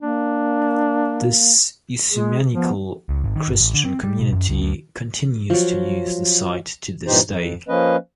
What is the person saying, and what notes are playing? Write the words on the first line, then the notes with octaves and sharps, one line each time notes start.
This ecumenical Christian community continues to use the site to this day.
A#3 D4
G#3 G#4
F3 B3
C#2
G#1
D#3
G1
A1
D3
C4
G3
B2
F#2
C#2
D2
F3 F#3
G2 A#2 E3 D#4 G4 C5
F2
F3 A#3 C#4 B4 D#5